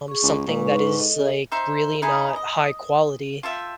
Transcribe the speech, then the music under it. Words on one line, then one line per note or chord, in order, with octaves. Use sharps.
something that is, like, really not high quality.
G#4 C#6
C#2
A#2 G#3 B4 C#6
G#2
A4 D#5
C#3
D#4 C5 E5 C6
D#4 E4 G#4 D#5
D#5
F4 A4 E5 G5